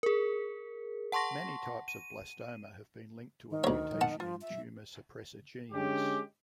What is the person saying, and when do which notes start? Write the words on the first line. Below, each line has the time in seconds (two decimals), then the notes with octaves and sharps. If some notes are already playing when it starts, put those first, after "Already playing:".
Many types of blastoma have been linked to a mutation in tumor suppressor genes.
0.03 G#4 A#4
1.12 F#5 A5 C6 C#6 A#6
1.88 D#7
3.51 D#3
3.64 D2 F#3 C#5
4.01 F#5 A5
4.20 F3 F4
4.41 E5
5.73 D3 G#3 C#4 G4